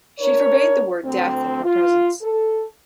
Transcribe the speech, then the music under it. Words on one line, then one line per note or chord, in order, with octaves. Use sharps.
She forbade the word "death" in her presence.
D4 A#4 C#5
D2 C4
F4
A4